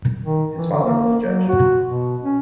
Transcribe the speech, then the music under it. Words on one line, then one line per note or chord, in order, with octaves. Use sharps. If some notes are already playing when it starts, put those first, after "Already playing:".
His father was a judge.
D#3
E3
D3
A#3
F#3
F#4
B2
C#4